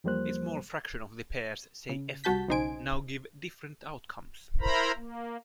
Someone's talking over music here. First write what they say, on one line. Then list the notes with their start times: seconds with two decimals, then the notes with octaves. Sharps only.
A small fraction of the pairs, say "f", now give different outcomes.
0.04 E2 F3 G3 A#3 C5 F#6
1.89 C#3
2.24 C2 G3 F#4 A5 G6 B6
2.48 B1 C#3 D#4 C5 G#5 D7
4.60 E4 A#4 C5 A#5 B5
4.96 A#3